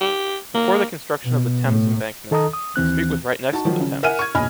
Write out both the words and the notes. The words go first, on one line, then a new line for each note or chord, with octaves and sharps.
Before the construction of the Thames embankment, the street was right next to the Thames.
G4
A#3
B2
A2
D#3 A4 D#5 A#5 D#6
D#6
D#2 E3 C4 F#6
D#4 F#4 A5
D#3 F3 F#3
C#3
A#4 E5 F#5 G#5 F6 D#7
C#6 G#6
E1 A#2 D#5 G#5 B5 F6